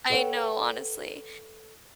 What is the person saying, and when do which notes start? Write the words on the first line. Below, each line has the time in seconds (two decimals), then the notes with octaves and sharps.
I know, honestly,
0.10 A4 B4 C#5 D5 F#5 G5